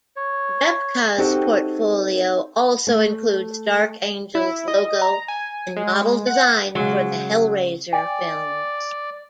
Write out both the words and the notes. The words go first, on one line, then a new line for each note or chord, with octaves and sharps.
Repka's portfolio also includes Dark Angel's logo and model designs for the "Hellraiser" films.
C#5
C4 D#4 F#4 G4 A4
A3
E4
D#5
A#5
G#5
G#3
F#5
C#3 F#3 G#3
D5 G5 G#5